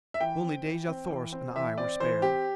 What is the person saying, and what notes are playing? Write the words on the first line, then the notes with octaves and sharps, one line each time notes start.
Only Dejah Thoris and I were spared.
E5
E3 G5
C4
E3
C4
E3
C4
E3 E5
C4 D5
E3 C5
C4 G4